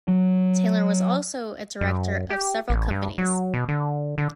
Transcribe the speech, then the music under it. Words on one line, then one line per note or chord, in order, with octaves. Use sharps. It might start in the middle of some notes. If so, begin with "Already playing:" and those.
Taylor was also a director of several companies.
F#3
F#2
G4
A1
G2
F#3
B2
D3
D3